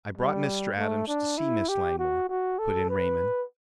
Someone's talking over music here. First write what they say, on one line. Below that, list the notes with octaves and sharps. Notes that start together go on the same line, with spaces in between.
"I brought Mr. Adams to see Miss Langmore," put in Raymond.
G3
A3
D4
E4
G4
F#4
F#4
A4
B4